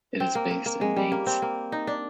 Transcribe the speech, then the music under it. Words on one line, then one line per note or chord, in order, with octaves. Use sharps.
It is based in Mainz.
C4
A#3
A#3
A#3
G#3
G3
A#3
C4
A#3
D#4
D4